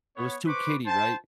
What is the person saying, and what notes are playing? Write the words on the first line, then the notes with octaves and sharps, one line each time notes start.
It was too kiddy, right?
B3 C#5
B4 C5 B5 C#6 D6
C5 G5 A5